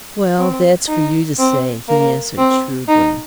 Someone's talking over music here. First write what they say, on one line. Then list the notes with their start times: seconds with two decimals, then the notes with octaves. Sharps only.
"Well, that's for you to say," he answered shrewdly.
0.39 C4
0.88 D#4
1.38 C4
1.88 A#3
2.38 C4
2.88 D#4